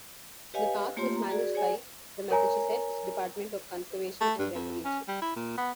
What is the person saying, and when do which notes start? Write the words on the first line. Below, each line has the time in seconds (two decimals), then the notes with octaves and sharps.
The park is managed by the Massachusetts Department of Conservation and Recreation.
0.54 G4 B4 C#5 D#5 F5 G#5
0.97 A3 A#3 F4 G4 C#5 C6
1.15 A#5
1.30 F#4 G#4 D5
1.54 G#4 C#5 D5 G#5
2.31 A#4 C#5 G#5 A#5
4.21 A3
4.39 G2
4.55 F2
4.85 C#4
5.08 G3
5.22 E4
5.36 A#2
5.58 B3